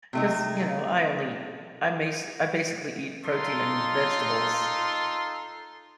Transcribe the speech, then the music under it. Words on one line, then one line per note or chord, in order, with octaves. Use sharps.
'cause, you know, I only ea I may se I basically eat protein and vegetables
C3 A3 D#4
D#4 F4 A4 C6